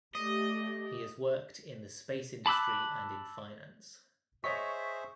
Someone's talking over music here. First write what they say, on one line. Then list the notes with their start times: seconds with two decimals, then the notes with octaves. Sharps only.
He has worked in the space industry and in finance.
0.15 A3 G4 D5 D#5
2.46 A5 B5 D6 E6 F#6
4.44 G#4 C5 C#5 D#5 E5 C#6 B6